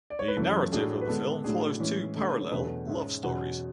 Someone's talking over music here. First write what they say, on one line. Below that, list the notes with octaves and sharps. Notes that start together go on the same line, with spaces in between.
The narrative of the film follows two parallel love stories.
D5
C#5
B4
F#2 E3 A3 C#4 A4
A2 F#3 A3 D4 G#4
B4
D3 G#3 B3 D4 A4
A2 F#3 A3 D4 G#4
A2 E3 G#3 C#4
D3 A3 C#4
C#5
E2 B2 F#3 A3 D4 B4
A4
G#2 G#3 C#4 E5
E2 B2 F#3 C#4 F#5